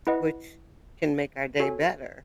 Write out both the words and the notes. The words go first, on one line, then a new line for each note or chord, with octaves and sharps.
which can make our day better,
E4 B4 D#5 F#5
F#4 A4 C#5 G#5